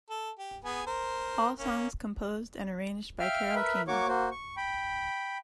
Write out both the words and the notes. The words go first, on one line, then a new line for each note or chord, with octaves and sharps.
All songs composed and arranged by Carole King.
A4
G4
B3 G#4 G#5
A#4 C5
A#3 C#4
E5 F5 G5 F6
A#4 B4 E5
A#3 F#4 C#5 C#6 D6
A#3 F#4 C5
C#6
G5 B5